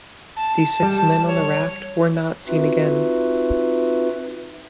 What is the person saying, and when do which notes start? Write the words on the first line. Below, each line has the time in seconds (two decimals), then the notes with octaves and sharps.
The six men on the raft were not seen again.
0.36 A5
0.82 G3
1.26 C#5
2.47 C4 D#4 F4 F#4 B4 E5